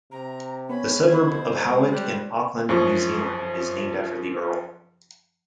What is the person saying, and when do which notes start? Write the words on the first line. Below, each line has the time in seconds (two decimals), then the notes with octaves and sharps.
The suburb of Howick in Auckland, New Zealand, is named after the earl.
0.12 C3 A#5
0.70 B3 C#4 B5
1.08 B2 C5 G#6
1.56 G#3 A#4
1.92 G3 F#6
2.69 F#2 F3 G#4 C#6